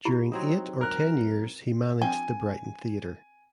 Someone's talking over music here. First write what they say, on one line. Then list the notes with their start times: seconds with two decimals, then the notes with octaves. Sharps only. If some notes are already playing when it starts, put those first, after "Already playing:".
During eight or ten years he managed the Brighton Theatre.
0.05 E4 G4 B5
0.32 F#3 C4 D#4
0.81 A#4 F#6
2.02 F3 C4 D4 G5 G#5